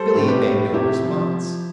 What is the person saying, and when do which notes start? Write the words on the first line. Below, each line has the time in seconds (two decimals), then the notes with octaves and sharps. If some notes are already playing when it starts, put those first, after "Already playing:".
Billy made no response.
Already playing: G3 A4 C5
0.14 A2
0.28 G4 B4
0.44 A2
0.74 C3 E4 G4
1.04 F3
1.35 F3